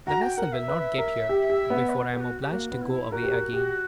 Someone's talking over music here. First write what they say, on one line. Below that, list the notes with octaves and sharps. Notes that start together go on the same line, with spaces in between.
"The vessel will not get here, before I am obliged to go away again."
F#4 A#5
G5
A#4 F#5
E5
B4
A#4
G4
G4
B3
B4
G4
F#4
G4
A#3 F#4
B3
E4
F#4 A#4
G4
A#4
G4